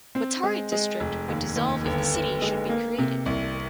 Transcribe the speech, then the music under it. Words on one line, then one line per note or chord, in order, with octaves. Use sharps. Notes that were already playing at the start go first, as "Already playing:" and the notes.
Watari District would dissolve if the city should be created.
C4
G#3
G#3
F1
D#2
D#2
G1
G1
G#3
A#3
C3
C2